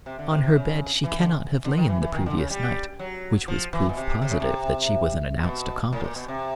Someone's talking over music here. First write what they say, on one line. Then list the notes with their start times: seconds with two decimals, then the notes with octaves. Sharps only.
On her bed she cannot have lain the previous night, which was proof positive that she was an announced accomplice.
0.06 C3
0.19 D3
0.31 C3
0.43 C3
0.55 C#3
1.04 E3
1.20 D3
1.65 D3
1.77 D#3
1.89 E3
2.02 E3
2.14 D#3
2.26 D3
2.38 C#3
2.50 G3
2.99 F#3
3.48 F3
3.73 E3
3.89 B2
3.97 C3
4.22 C3
4.31 C#3
4.40 C3
5.43 B2
5.93 A2
6.04 A#2
6.16 B2
6.28 C3